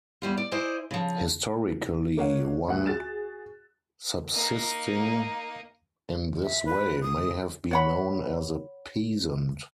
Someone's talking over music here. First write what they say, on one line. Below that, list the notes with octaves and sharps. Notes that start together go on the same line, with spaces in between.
Historically, one subsisting in this way may have been known as a "peasant".
E2 G3 F4
D5
E4 C5 D5 D#5 G#5
C#3 F3
A#3 D#4 C#5 F5 F#5
D2 F#5 F#6
F#4 G#4 A6 E7
A#3 D#4
E5
B4
D#6
C#5 F#5 B5